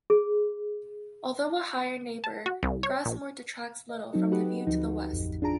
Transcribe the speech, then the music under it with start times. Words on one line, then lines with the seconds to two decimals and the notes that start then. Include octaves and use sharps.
Although a higher neighbour, Grasmoor detracts little from the view to the west.
0.10 G#4
2.24 A5
2.46 F#4
2.63 C2
2.83 C#5
3.06 A#1
3.89 D#5
4.13 F#3 C4 D#4 A4
4.32 F#4 G4 A4 B4 D#5 F#5
4.67 D2 F3 D#4
5.13 A1 F2
5.42 D4 F4 G#4 A5 A#5 D7